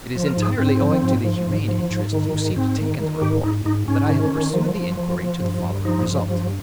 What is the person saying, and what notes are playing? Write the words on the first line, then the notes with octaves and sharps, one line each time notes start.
It is entirely owing to the humane interest you seemed to take in the report, that I have pursued the inquiry to the following result.
F3
A#4
G#2
G#4
G#2 C4
F3
G#2
F3
G#2
F3
G#2
D#3
G#2
G#2 C4
D#3
D#3
G#2 G4
G#2 D#4
G#2 D#4
G#2 C#4
D#3
D#3
F3
F3
F3
F3
G2
G2
F3 D#4
G2
F3